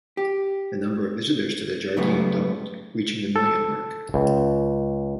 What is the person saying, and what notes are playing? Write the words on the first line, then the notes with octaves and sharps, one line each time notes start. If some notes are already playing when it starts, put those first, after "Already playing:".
The number of visitors to the Jardin doubled, reaching the million mark.
G4
F#2 C#3 G3 A3 B3
A4
C#2